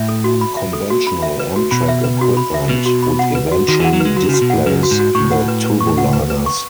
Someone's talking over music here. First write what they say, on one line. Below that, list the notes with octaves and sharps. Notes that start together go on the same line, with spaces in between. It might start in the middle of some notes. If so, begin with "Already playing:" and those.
Conventional Amtrak equipment would eventually displace the Turboliners.
Already playing: A2 E5
A4
F#4
B5
E5
A4
F#4
B5
E5
B4
F#4
B2 B5
E5
B4
F#4
B5
E5
B2 B4
F#4
B5
F#5
B4
F#4
D#3 F#4
E3
F#5
F#3
B4
G#3
F#3 F#4
C#3
F#4
B2
A2 F#5
F#2 B4
F#4
G#2
F#4
A2 C#6
F#5
B4
B4
C#6
F#5
B4
B4
C#6